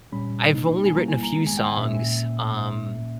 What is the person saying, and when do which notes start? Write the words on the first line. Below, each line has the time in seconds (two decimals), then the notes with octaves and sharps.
I've only written a few songs. Um,
0.12 A#2 G3 C#4 B5
0.54 B2 A#3 D#4
0.85 G#5
0.94 G3 A#3 E4 A#5
1.08 G#5
1.23 A#5
1.36 D#3 G#3 B3 A#5
1.47 G#5
1.57 G5
1.68 G#5
1.77 A#2 A#3 C#4 E5